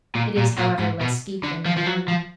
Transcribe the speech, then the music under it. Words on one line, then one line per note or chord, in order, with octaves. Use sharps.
It is, however, less steep than Mayon.
A#2
A#2
A#2
G#2
B2
D3
F3
F3
F#3
F3